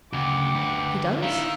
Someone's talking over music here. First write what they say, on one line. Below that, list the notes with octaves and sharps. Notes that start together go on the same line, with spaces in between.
"He does?"
D2 C#3 F#4 G5 D6
D3 B4
D#3 D4 E4 F5 E6